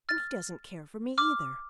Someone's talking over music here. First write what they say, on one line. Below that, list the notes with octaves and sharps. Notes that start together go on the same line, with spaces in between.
And he doesn't care for me either.
F6 A6
D6 F6